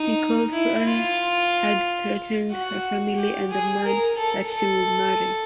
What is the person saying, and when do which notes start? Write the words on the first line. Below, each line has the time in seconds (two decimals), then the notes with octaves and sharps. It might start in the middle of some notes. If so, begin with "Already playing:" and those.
Nicholson had threatened her family and the man that she would marry.
Already playing: D#4
0.52 E4
0.85 F4
2.51 F#4
3.18 G4
3.51 G#4
3.85 A#4
4.17 A4
4.51 A4